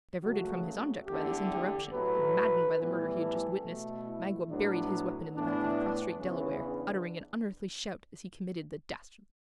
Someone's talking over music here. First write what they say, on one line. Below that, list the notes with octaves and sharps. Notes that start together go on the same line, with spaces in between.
Diverted from his object by this interruption, and maddened by the murder he had just witnessed, Magua buried his weapon in the back of the prostrate Delaware, uttering an unearthly shout as he committed the dastardly deed.
C#2 C#3 F#3 A3 F#4
E2 D3 A3 G4
G4
A2 F#3 A3 B4
A2 E3 G3 B3
A4
B2 A3
E4
A2 F#3 B3 D4
A2 E3 B3 D4
E2 C#3 E3 B3 C#4
D4